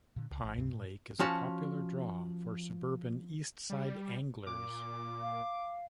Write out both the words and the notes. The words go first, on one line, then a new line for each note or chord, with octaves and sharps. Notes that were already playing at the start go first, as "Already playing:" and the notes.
Pine Lake is a popular draw for suburban eastside anglers.
A#2 D3
C#2
A1
C#2 G2 C4
A2
F3 C#4 F#4 A5
G3
A#2 D6
F5